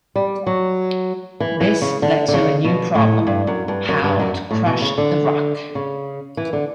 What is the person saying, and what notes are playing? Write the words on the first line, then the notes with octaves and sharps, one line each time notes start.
This led to a new problem: how to crush the rock.
G3
F#3
E3
E3
C#3
D3
D3
C#3
B2
A2
G2
F#2
G2
F#2
G2
F#2
A2
B2
C#3
D3
C#3
E3
D3